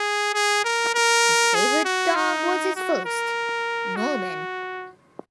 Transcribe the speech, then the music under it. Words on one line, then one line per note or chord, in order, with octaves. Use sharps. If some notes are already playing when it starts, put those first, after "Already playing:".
His favorite dog was his first, Norman.
Already playing: G#4
G#4
A#4
A#4
G#4
F#4
D#4
F#4
A#4
F#4